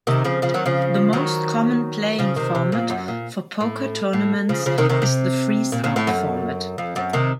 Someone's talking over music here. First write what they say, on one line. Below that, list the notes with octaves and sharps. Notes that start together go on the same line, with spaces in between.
The most common playing format for poker tournaments is the "freezeout" format.
C3 D#3
C#3 F3
C#3 F3
D#3 F#3
C#3 F3
D#3 F#3
C#3 F3
C3 D#3
C3
A#2
F#2
A#2
A2
A2
C#3 F3
C#3 F3
C3 D#3
C3 D#3
C3
A#2
A#2
A2
F#2
F2
F#2
C3 D#3